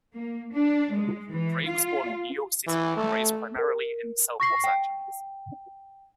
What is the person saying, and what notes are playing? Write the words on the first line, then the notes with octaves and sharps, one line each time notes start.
Gray was born in New York City and raised primarily in South Los Angeles.
A#3
D4
G#3
E3
F4
E3
A3
A#4
C#6 A#6 C7
G5